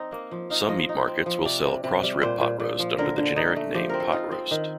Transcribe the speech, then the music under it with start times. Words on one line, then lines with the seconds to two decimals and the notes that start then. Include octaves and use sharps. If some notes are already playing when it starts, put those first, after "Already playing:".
Some meat markets will sell cross-rib pot roast under the generic name pot roast.
Already playing: C4 D#4 D5
0.12 A#3
0.31 F3
0.50 D#4 F5
0.69 F3 D#5
0.89 D#4
1.07 C4
1.26 F3
1.45 C3 D5
1.65 C3
1.84 C3
2.03 G3
2.21 A#2 C5
2.41 A#2
2.60 A#2
2.79 F3
2.98 D3 A#4
3.18 D3
3.36 D#4
3.56 A3
3.74 F3 G4
3.89 C4 A#4
4.00 A4
4.12 D#4 F4
4.31 C4
4.51 D#3